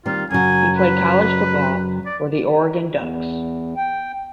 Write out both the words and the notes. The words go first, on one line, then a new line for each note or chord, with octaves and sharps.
He played college football for the Oregon Ducks.
D#3 G3 C4 F4
F#2 C#3 F#3 G#5
B4
D5
E2
G5